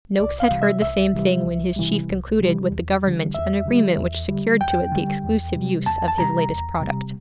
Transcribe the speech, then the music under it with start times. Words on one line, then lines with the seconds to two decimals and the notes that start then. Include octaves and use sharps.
Noakes had heard the same thing when his chief concluded with the government an agreement which secured to it the exclusive use of his latest product.
0.20 C2 D5
0.40 F5
0.50 C3 E3 G3
0.62 E5
0.82 C2 E5
1.13 C3 E3 G3
1.45 C2
1.76 C3 E3 G3
2.09 C2
2.39 C3 E3 G3
2.71 E2
3.04 D3 G3
3.35 E2 E5
3.65 D3 G3
3.97 E2
4.28 D3 G3
4.60 E2 G5
4.91 D3 G3
5.24 E2
5.55 C3 G3
5.86 E2 A5
6.08 A5
6.18 C3 G3 A#5
6.50 E2
6.81 C3 G3